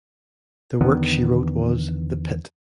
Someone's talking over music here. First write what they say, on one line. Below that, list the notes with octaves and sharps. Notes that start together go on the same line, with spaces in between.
The work she wrote was "The Pit".
E2 D3 D#3 B3